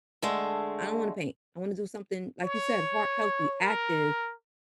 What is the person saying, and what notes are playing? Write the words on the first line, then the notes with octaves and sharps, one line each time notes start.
I don't wanna paint. I wanna do something," like you said, heart healthy, active
D3 G#3 A3
C#5
A#4